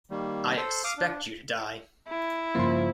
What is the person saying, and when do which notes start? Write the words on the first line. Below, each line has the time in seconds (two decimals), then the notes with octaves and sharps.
I expect you to die.
0.11 D#3 G3 A#3
0.57 A4 C5
0.84 F5 D6 D#6
0.97 D4
2.08 E4
2.55 G2 C#3 F3 A#3 F4 C6